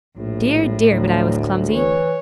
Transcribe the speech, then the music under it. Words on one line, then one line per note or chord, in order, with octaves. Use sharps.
Dear, dear, but I was clumsy!
A#1 A2
D2 F#3
E3 C#5